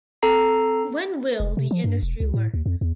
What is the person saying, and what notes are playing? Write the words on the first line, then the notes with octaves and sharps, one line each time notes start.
When will the industry learn?
C4 A4 A#5 C7
F1
C3
F3
G2
E1
C#2
A2
D#2
F2
E2